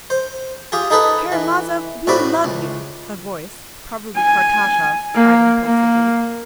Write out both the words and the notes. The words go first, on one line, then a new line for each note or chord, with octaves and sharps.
"Karamazov, we love you!" a voice, probably Kartashov's, cried impulsively.
C5
F4 G4 G#4
D#4 G#4 A4 B4
E3
A2 C4 F#4 D5 B5
C#2
G#5
A#3
A#3